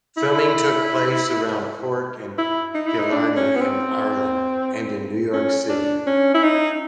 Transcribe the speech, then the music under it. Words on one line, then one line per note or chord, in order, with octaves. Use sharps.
Filming took place around Cork and Killarney in Ireland, and in New York City.
E4
E4
D#4
E4
D#4
D4
C#4
B3
C4
C#4
D4
C#4
E4
D#4